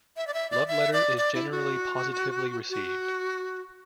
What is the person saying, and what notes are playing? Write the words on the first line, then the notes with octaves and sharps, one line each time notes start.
"Love Letter" is generally positively received.
E5
D5
E5
D5
E5
D5
D5
E4
F#4
F#4